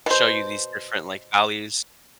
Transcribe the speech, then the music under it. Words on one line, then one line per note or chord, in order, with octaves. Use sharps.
show you these different, like, values.
B2 C5